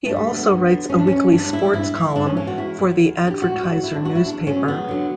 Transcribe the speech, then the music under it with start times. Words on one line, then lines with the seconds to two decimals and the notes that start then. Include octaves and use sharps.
He also writes a weekly sports column for the Advertiser Newspaper.
0.05 G2 A3
0.16 G3
0.26 D3 F#3 A3
0.37 B3
0.48 G2
0.69 D3 F#3
0.90 G2 C#4
0.98 D4
1.07 E3 C#4
1.32 G2 D4
1.52 E3 E4
1.73 G2 E4
1.94 E3
2.16 G2 D4
2.26 C#4
2.37 E3 C#4
2.47 F#4
2.57 E2 E4
2.79 D3
2.83 F#3
3.00 E2
3.21 D3 F#3
3.30 G4
3.42 A2 F#4
3.63 F#3 F#4
3.84 A2 E4
3.94 D4
4.05 F#3 F#4
4.15 E4
4.26 E2 D4
4.47 D3 F#3 C#4
4.67 E2 B3
4.89 D3 F#3